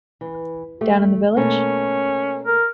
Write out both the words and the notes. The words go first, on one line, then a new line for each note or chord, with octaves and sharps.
Down in the village?
E3
A3 G4
B2 A3 A#3 C#4
A#4